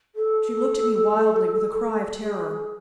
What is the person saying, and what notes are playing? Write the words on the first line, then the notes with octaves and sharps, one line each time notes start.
She looked at me wildly, with a cry of terror.
A4
G#4